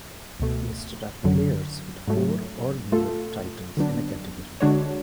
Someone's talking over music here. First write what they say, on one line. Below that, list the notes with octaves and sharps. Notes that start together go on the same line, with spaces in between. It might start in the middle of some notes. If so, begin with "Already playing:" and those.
Listed are players with four or more titles in a category.
Already playing: A1
C#2 B2 A3
G#1 F#2 D3 F#3
G#2 F#3 A3
B2 A3 F4 A4
D3 F#3 B3 D4
D3 G#3 D4 F#4 C#5